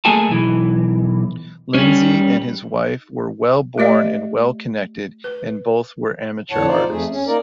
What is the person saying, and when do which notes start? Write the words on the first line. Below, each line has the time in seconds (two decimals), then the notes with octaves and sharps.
Lindsay and his wife were well-born and well-connected, and both were amateur artists.
0.05 A3 A#3 G#4 A4 G#5 A5
0.29 B1 E3
1.74 G3 C#4
3.78 A3 G4 D5 D#5
5.24 B4
6.51 F2 A2 D3 C#5 F#5 A5
6.67 D#4 F4 C5 D5
6.89 F2 A3 G#4
7.11 C#4
7.27 A#3 D#4 A#4 D5